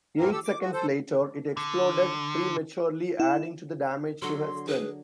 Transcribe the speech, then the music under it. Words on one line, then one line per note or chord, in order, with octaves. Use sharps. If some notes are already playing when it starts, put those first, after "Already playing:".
Eight seconds later, it exploded prematurely, adding to the damage to her stern.
F2 A2 E3 A#3 C4 A#4
G4 A4 E6
D6
F3 F#4
A4 C5
D3
E4
D3 F#3 A4 C6
G#4 B4